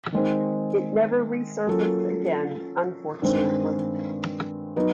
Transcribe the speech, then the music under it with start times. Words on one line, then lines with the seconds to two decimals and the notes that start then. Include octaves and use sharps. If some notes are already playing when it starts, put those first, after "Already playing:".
It never resurfaced again, unfortunately.
0.12 D#3 G#3 C4
1.67 F#3 A#3 C#4 F4 A4
3.22 G2 D#3 G#3 C4
4.76 F#3 B3 D#4